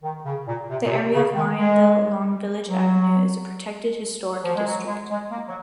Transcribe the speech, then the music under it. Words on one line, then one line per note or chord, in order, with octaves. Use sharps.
The area of Lionville along Village Avenue is a protected historic district.
D#3
C#3
A#2
C3
A#2
C3
C#3
D#3
G#3
F#3
F3
G#3
F#3
G#3
G#3
A#3
F#3